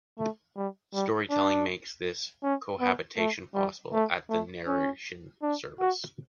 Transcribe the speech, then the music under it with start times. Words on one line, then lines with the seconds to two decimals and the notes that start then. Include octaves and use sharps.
Storytelling makes this cohabitation possible at the narration service.
0.18 A3
0.56 G3
0.94 G3
1.30 D4
2.43 C#4
2.80 B3
3.17 A3
3.54 G3
3.93 A3
4.29 A3
4.67 C#4
5.42 D4
5.79 F#4